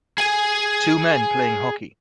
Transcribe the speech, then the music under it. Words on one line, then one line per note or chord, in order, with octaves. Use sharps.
Two men playing hockey.
G#4 G#5